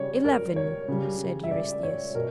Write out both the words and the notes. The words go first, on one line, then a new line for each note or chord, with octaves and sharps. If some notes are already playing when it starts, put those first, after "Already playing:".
"Eleven," said Eurystheus.
Already playing: C#3 G3 C#5 D5
A#4
C#5
C#3 G3
E5
D5
C#5
B2 A#4